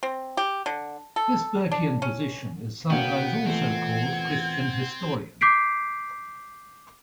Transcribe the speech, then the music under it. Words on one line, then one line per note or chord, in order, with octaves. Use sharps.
This Burkean position is sometimes also called Christian Historian.
C4
G4
D3
A4
D4
C#4
B2 A#3 B3 C#5 F#5 G5
E2 A#2 A3 C4 G#6
D6 G6 B6 C7 D7